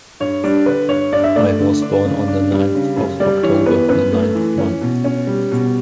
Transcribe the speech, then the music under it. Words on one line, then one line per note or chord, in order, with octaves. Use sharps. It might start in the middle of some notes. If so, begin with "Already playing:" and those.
I was born on the ninth of October, the ninth month.
G2 C#5
G3 D4
D3 B4
G2 C#5
G2 D5
E5
A3 D5
D3
D4
C#3
D4
G3
C#3
F#2
G3 D5
E3 C#5
B3 B4
F#2 B4
A3
E3
C#4
B2
C#4
G3
B2